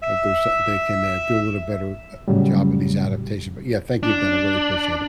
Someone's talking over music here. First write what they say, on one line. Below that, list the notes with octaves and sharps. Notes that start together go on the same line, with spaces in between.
if there's, uh they can, uh, do a little better, uh, job of these adaptation but yeah, thank you again, I really appreciate it.
E5
A2 C#3 F#3 G3
D4